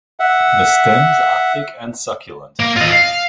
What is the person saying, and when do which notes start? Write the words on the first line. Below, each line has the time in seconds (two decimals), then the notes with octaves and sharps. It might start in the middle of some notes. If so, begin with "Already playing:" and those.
The stems are thick and succulent.
0.20 E5 F#5
2.60 A#3
2.77 F4 D#5
2.92 F5